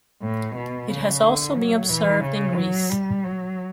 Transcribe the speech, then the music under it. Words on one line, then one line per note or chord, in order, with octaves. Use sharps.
It has also been observed in Greece.
A2
B2
C#3
D3
F#3
E3
C#3
F#3
G3
F#3